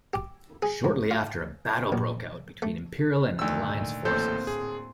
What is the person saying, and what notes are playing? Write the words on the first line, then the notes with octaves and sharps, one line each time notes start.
Shortly after, a battle broke out between Imperial and Alliance forces.
G4
G#4
G#2
F4
A#1
A3
D2 A#2 D#3 E6
A1 A2 A#3 C4 A4 C5
G#4